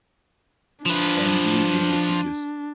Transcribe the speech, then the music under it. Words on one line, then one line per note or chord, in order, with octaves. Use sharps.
And being able to just
F3 D4 B4